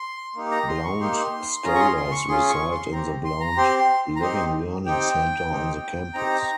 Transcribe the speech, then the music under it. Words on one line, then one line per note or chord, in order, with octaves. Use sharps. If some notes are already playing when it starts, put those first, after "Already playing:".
Blount Scholars reside in the Blount Living Learning Center on the campus.
Already playing: C6
A#3 D#4 G4
A#5
C6
C#6
A#3 D#4 G4 C6
C#4 F4 G#4 A#5
C#6
C6
C6
C#6
C#4 F4 G#4 C6
C#6
C6
C4 G4 A#5
C6
A#5
C4 G4 C6
C6
A#5
C4 D#4 G4 C6
C4 D#4 G4 G5
C4 D#4 G4
C4 D#4 G4 A#5